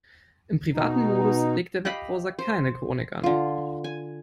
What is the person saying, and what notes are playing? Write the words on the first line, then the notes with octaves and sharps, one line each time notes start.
Im privaten Modus legt der Webbrowser keine Chronik an.
B2 D#4
G4 D#5 F5 B5
C5
D3 F4
G#5